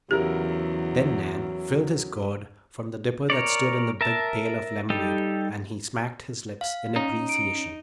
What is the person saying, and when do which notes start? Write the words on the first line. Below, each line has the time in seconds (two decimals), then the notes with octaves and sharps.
Then Nan filled his gourd from the dipper that stood in the big pail of lemonade, and he smacked his lips in appreciation.
0.11 E2 C#3 F#3 E4 G4 A#4
3.30 A#4 C#5 D5
4.01 A#4 E5 A5
4.90 G3 D#4 G4 A4
6.61 F5
6.96 C#4 D#4
7.29 D7